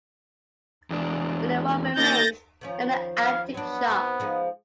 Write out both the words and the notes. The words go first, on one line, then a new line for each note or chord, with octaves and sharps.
Only one remains, now an antique shop.
E2 D4
A#3 D#4 G6 A6 A#6
D#3 F3 C#4
F5
F#3 B3 D4
D#3 C4 F#4
F3 G#3 D#4